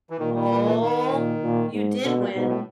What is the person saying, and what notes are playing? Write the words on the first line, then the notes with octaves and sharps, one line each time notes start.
Oh! You did win.
E3
A#2 D#3
D#3
E3
E3
D#3
A#2
A#2
G#2
B2 D3
A#2
G#2 B2
A2